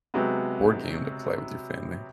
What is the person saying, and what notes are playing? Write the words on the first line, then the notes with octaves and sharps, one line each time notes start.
board game to play with your family?
C3 F#3 G#3 B3